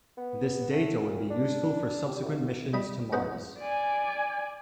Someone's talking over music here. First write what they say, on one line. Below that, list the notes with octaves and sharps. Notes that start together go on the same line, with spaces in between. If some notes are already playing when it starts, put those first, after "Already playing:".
This data would be useful for subsequent missions to Mars.
B3
A3
A#2
D4
G4
C2
G3 D#5 B5
B3 C#4 F#4 G#4 C5
D5 G#5